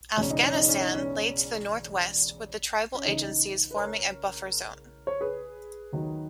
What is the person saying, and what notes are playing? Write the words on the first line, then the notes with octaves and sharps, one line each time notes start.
Afghanistan lay to the northwest, with the tribal agencies forming a buffer zone.
E1 E2 C#3 E3 C#4
D#4
C#4
D#4
C#4
D#4
C#4
C#4
C#2 C#3 E3 D#4
B4
A#4 C#5
C#5
G#4 B4
D#2 D#3 F#3